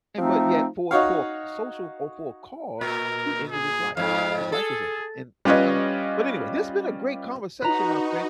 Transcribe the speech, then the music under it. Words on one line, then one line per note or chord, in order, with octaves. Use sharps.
and but yet for for social, or for a cause, he ended his life, his life was ended, and I don't But anyway, this has been a great conversation, my friend.
F3 A3 C4 D#4
D#4 F#4 C#5 F5
A#2 A#4
G#4
F2 G#2 F5
G#4 A4
G3 C#4 F4 B4 C#5 D#5
D#4 F#4 B4 A#5